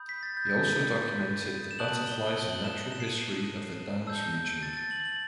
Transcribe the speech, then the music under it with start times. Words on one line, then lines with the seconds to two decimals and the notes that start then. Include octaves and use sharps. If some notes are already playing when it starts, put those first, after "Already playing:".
He also documented the butterflies and natural history of the Dangs region.
Already playing: B5 D#6 G6
0.09 B6
0.23 A6
0.37 G6
1.71 E7
1.79 A5 D#6 F#6 F#7
1.93 F#7
2.08 G7
2.22 G7
2.36 G7
2.50 F#7
2.64 E7
2.78 F#7
2.92 E7
3.00 C7
3.06 D#7
3.21 C7
3.35 C7
4.07 A5 E6 G6
4.63 A6
4.77 A6
4.91 F#7
5.05 F#7